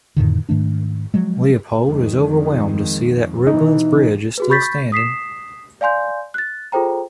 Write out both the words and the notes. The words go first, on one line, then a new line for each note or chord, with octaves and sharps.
Leopold is overwhelmed to see that Roebling's bridge is still standing.
F2 A2 D3 D#3
G#2 D#3 A3 D4
F3 F#3 G#3
F2 D#3 G#3
B2 E3 D#4
F#4 G#4 B4
B5 C#6 G6 A6 B6
D#6 B6 C7 E7
D5 F5 G#5 C6 G6
F#6 A6
F4 G#4 A4 C5 G5 A#5